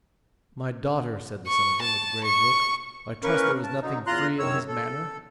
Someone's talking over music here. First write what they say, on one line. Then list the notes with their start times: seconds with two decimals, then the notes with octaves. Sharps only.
"My daughter," said the Senator, with a grave look, "I trust there was nothing free in his manner?"
1.47 C#6
1.82 A5
2.24 C#6
3.23 E3 A#3 C#4 A#4 B4 C#6
3.63 A5
3.82 D3 F#3 D#4
4.07 E2 F4 A#5 C6 F#6
4.39 F#2 D#3 C#5 E6
4.68 A4